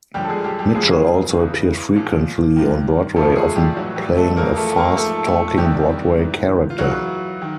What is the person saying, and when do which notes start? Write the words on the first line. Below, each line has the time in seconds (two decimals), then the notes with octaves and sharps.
Mitchell also appeared frequently on Broadway, often playing a fast-talking Broadway character.
0.14 F#2 D3 F3 G3 G4
0.24 A4
0.29 G#3 G#4
0.44 G3 G4
0.59 G3 G4
0.74 F2 C#3 F3 G#3 G#4
1.35 E2 C#3 E3
1.96 A#2 F3
2.56 G2 D#3
3.16 F2 C#3 F3 A3 A4
3.36 G#3 G#4
3.56 G3 G4
3.76 A2 E3 F#3 F#4
3.96 G3 G4
4.17 A3 A4
4.36 E2 C#3 F3 A#3 A#4
4.56 A3 A4
4.67 A4
4.76 A#3 A#4
4.97 G#2 F3 A3 A4
5.27 A3 A4
5.57 E2 C3 D#3 G3 G4
6.18 G#2 E3
6.70 F4
6.78 F#2 C#3 E3 F#3 F#4
7.42 D#3